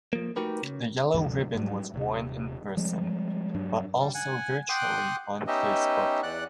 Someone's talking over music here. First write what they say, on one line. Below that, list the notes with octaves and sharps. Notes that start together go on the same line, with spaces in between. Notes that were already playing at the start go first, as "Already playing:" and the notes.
The yellow ribbon was worn in person, but also virtually on Facebook.
F3 A#3
A3 D#4 F#4 G4 A#4 B4
C#3
D2 G2 D3 F3
G#2 F#3 G3
D#1 C3
F3 G3 G#3 C4
G2 F#3 D4
G3
F#5 G#5
F#5 G5 C6 D6 D#6 F#6
B3 C#4 D#4 G4 D#5 E5
E2 D5 F#5 F#6